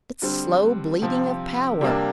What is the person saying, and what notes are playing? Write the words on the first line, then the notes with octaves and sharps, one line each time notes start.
It's slow bleeding of power.'
D3 G3 C4
C3 F3 C4
C3 G3 A#3 D4